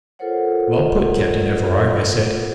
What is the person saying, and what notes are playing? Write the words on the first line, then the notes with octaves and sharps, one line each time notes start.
"Well put, Captain Everard," I said.
F4 A4 A#4 C5 C#5 F#5